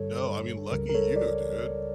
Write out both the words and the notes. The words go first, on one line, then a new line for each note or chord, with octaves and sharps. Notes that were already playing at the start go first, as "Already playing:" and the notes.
No, I mean, lucky you, dude.
Already playing: G2 D3 G3 A4 C#5
C#2 C#3 G3 A#4
A#4
A4 C#5
A#4 D5